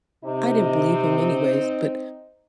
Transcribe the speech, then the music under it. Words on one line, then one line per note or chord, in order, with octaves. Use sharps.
"I didn't believe him anyways, but
C3 C4 D#4